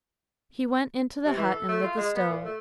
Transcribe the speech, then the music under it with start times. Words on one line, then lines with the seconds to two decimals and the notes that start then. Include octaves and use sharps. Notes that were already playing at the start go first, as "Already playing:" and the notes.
He went into the hut and lit the stove.
1.25 C3
1.37 E3
1.52 A4
1.68 A3
1.83 F4
1.97 G#3
2.15 B3
2.29 A#2
2.45 A3